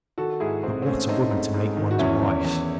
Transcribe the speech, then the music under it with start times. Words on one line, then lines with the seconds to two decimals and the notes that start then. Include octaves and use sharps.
But what a woman to make ones wife!
0.18 D#3 F#4 A4
0.40 G#2 E4 G#4
0.63 G#2 C4
0.82 C4
0.86 A3 C#4
1.08 A3 C4 D#4
1.31 G#2
1.54 G#2
1.77 D#3
1.91 F#4
1.99 E2 C#4 E4
2.22 E2
2.44 E2